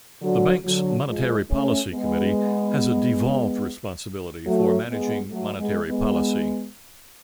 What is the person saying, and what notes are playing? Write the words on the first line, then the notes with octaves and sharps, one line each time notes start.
The Bank's Monetary Policy Committee has a devolved responsibility for managing monetary policy.
D3 F#3
D3 F#3
F3 G#3
A3 C#4
G#3 B3
F#3 A3
G#3 B3
F#3 A3
G#3 B3
G#3 B3